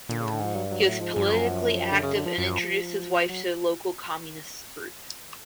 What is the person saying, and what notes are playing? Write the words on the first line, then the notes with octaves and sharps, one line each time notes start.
He was politically active and introduced his wife to the local Communists group.
A#2 D3
C#3
A2
D3
G#2 F3
G2 F#3
F#3
A2
G#2 F3
G2
F#2
D3
C#3
D3
F3
F#2 F3
F#3